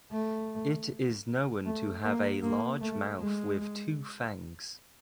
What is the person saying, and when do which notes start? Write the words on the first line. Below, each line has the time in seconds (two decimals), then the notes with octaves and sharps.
It is known to have a large mouth with two fangs.
0.12 A3
1.65 A3
2.04 A#3
2.43 A#3
2.81 A3
3.19 G#3